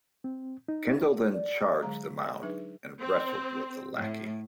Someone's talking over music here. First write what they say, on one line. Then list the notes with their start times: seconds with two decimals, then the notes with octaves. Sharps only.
Kendall then charged the mound and wrestled with the Lackey.
0.24 C4
0.68 D#4
1.33 D5
1.82 D3 F#3 G#3 G#4 A#5
2.43 F#3 D4 D#4 G#4 B4 E5
3.00 C4
3.95 A2